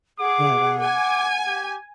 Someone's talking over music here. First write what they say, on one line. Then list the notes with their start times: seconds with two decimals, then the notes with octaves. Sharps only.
But, um
0.20 G#4 F#5 D6
0.81 G#5 D6
1.47 G4